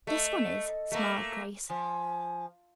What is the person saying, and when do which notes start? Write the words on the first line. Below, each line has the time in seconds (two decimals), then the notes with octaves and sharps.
"This one is," smiled Grace.
0.07 A3 D#5
0.92 A3 A#3
1.70 F3 G#5